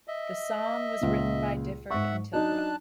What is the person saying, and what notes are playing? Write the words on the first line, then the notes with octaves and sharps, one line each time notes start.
The song was written by Difford and Tilbrook.
D#5 E5
C#2 A#2
G#2 E5 F#5 C#6
F#3 D4 D#4 A5 F#6